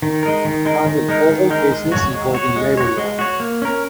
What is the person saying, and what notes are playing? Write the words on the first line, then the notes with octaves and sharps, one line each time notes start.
Handle all cases involving labor law.
D#3
G#3 D#4 A#4
D#3
G#3 D#4 A#4
D#3
G#3 D#4 A#4
D#3
G#3 D#4 A#4
G#3
F#4 C#5
G#3
F#4 C#5
G#3
F#4 C#5
G#3
F#4 C#5
A#3
C#4 A#4